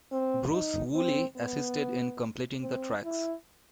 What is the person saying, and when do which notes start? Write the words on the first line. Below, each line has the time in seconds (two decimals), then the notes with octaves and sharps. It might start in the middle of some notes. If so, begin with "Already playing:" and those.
Bruce Woolley assisted in completing the tracks.
0.12 C4
0.53 D#4
0.95 C4
1.36 B3
2.61 C4
3.04 E4